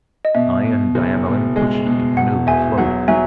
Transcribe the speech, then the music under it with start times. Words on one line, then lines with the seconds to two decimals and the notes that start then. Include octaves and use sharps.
I and Diamelen pushed the canoe afloat.
0.25 D#5
0.35 B2 E5
0.65 B2
0.95 F#1
1.26 B2
1.56 G#3
1.86 B2
2.17 E1 F#5
2.47 E1 E5 G#5
2.78 F#3 F#5
3.08 F#3 E5 G#5